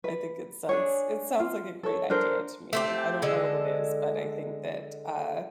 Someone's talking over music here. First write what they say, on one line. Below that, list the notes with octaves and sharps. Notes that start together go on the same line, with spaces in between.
I think it sounds it sounds like a great idea to me, I don't know what it is, but I think that, uh,
B4
D4 G#4 C#5
F4
A4 C#5
D4 A4 A#4 C5
A3 C4 G4
D3 G#3 A4